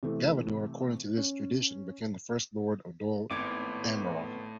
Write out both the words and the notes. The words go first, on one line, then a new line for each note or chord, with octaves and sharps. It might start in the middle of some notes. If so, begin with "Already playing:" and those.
Galador, according to this tradition, became the first Lord of Dol Amroth.
C3 E3 A3
C#4
G#1 A2 B3 D6 G#6